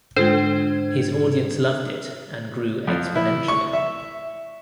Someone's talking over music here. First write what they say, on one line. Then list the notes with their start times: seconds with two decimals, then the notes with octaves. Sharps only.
His audience loved it, and grew exponentially.
0.16 G#2 D3 G#3 D4 F4 A4 C5 G#6
2.88 F2
3.15 E4
3.48 C#6
3.73 E5